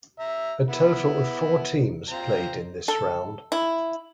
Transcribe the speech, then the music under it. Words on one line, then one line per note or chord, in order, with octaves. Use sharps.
A total of four teams played in this round.
E5 A#5
B3 E4
C4 F4 A#5
A4
E4